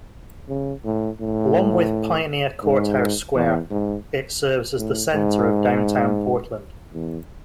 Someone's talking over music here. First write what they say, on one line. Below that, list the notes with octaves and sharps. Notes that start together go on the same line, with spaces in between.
Along with Pioneer Courthouse Square, it serves as the center of downtown Portland.
C#3
A2
A2
G#2
E2
G#2
A2
G#2
E2